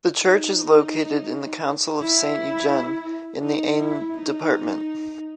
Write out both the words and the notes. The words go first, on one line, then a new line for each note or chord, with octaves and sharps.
The church is located in the council of Saint-Eugène, in the Aisne department.
D#4
E4
D#4
E4
D#4